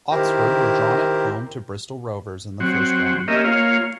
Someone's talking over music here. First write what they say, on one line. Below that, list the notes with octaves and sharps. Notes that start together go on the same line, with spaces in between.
Oxford were drawn at home to Bristol Rovers in the first round.
D#3 E4 G4 A#4 C5
F#3 C4 F#4
A#3 C#4 G4 A#4 D#5 E5
A#3 F4 C#5 F5